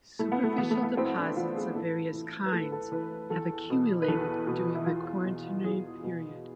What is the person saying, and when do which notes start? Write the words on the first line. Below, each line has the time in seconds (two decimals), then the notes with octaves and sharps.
Superficial deposits of various kinds have accumulated during the Quaternary period.
0.19 A2 A3
0.32 B3
0.43 A3
0.58 E3 B3
0.71 A3
0.83 B3
0.97 A2 C4
1.17 D4
1.36 E3 F4
1.56 G#4
1.74 A2 A4
2.14 E3
2.46 B4
2.52 A2 A4
2.72 A4
2.92 E3 B4
3.30 E2 A4
3.70 B2
4.02 B4
4.08 E2 A4
4.47 B2
4.75 E4
4.86 E2 F4
5.25 B2
5.64 E2 G#4
6.03 B2